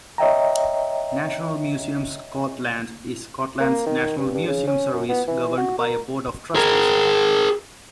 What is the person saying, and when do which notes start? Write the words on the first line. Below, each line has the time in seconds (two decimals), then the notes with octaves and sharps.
National Museums Scotland is Scotland's national museum service, governed by a board of trustees.
0.18 C#5 D#5 E5 G5 A#5
3.60 A#3
3.86 D#3
4.18 G2
4.34 G2
4.47 C#3
4.67 C#4
4.93 F#2
5.09 B3
5.28 E3
5.58 F#4
5.78 A#4
6.55 G#4 A#4